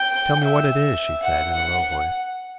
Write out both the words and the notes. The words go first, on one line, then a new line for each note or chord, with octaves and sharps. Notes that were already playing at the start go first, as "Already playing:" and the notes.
'Tell me what it is,' she said, in a low voice.
Already playing: G5
E5
F#5